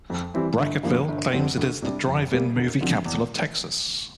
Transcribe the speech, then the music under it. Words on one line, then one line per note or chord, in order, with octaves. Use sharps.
Brackettville claims it is the drive-in movie capital of Texas.
F2
E3 G3 C4 E4
G1
G2 F3 A#3
G1
F2 D3 G3 C4
D2
C3 G3 D4
F2
C3 G3 A#3
E1
D2 D3 F3 C4
E2